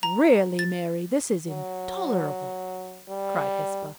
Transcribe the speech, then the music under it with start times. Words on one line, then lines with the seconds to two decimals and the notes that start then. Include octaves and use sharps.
"Really, Mary, this is intolerable!" cried Hesper.
0.03 A#5
0.59 A6
1.50 F#3
3.09 G3